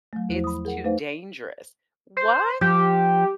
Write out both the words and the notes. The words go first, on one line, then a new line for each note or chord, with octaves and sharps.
It's too dangerous." What?
F#3 A3
E2 F3 E4 C5
B5 D#6
G#4 A#4 F#5
A3 D#4 B4 C5 F5
C5
F3 G4